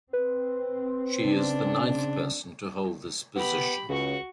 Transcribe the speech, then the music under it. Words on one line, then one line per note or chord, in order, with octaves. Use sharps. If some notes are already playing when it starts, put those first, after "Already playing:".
She is the ninth person to hold this position.
C4 B4
C#3 D4
B3 G4 B5
C#2 C#3 F#4 C#6